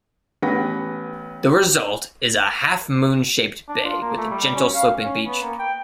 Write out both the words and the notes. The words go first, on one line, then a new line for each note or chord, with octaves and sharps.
The result is a half-moon-shaped bay with a gentle sloping beach.
A1 B3 B4 G5 A#6
D4
F4
A#3
A3
G3
C#4
F5
C#4
B3
A#3
G5